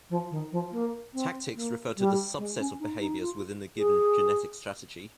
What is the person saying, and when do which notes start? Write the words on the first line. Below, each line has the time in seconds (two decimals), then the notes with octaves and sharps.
Tactics refer to the subset of behaviors within a given genetic strategy.
0.10 F3
0.30 D#3
0.51 F3
0.72 A#3
1.13 C4
1.55 A#3
1.96 G3
2.38 G#3
2.59 C#4
2.79 D#4
3.00 D#4
3.21 F4
3.76 G#4